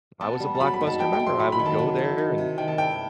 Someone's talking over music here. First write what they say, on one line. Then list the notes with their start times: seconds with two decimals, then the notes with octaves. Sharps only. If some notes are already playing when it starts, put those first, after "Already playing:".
I was a Blockbuster member, I would go there, and
0.21 B3 A5
0.40 G3
0.55 A5
0.60 F#3 B5
0.74 B5
0.81 D#4
0.87 A5
1.00 D#4 G5
1.13 G5
1.19 A3
1.27 C6
1.39 F#3 B5
1.52 B5
1.59 D#3
1.66 A5
1.79 F#3
1.98 E4
2.18 D#3
2.38 C3
2.58 D#3 G5
2.68 A5
2.78 E4 G5